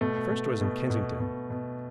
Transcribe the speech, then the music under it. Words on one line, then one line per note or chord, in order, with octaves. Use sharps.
The first was in Kensington.
B2 A3
B2
B2
B2
B2
B2